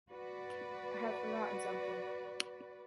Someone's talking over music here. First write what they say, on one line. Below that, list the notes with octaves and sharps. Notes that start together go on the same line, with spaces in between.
I have forgotten something.
F#4 B4 D5